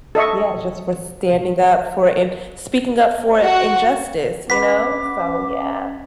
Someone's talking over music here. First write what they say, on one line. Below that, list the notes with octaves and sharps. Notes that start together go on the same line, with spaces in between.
Yeah, just for standing up for and speaking up for injustice, you know? So, yeah.
A4 D#5 E5 C#6
F#4
C#4 B4 F#5 D6 B6